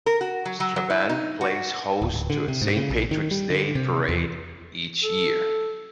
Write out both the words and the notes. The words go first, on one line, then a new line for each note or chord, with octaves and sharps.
Strabane plays host to a Saint Patrick's Day Parade each year.
A#4
F#4
F#3
F#3
F#3
E4
D#4
F#4
D1
D1
D3
C3
G#2
C#3
A#1
D#3
G3
D3
C3
E2
A4